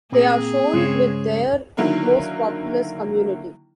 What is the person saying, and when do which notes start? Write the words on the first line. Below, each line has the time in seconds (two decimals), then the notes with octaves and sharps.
They are shown with their most populous community.
0.12 A#2 A#3 C4 G#4
0.73 G2 C#3 G#3 C#4 C5 C#5
1.77 D3 D#3 F#3 A#3 E4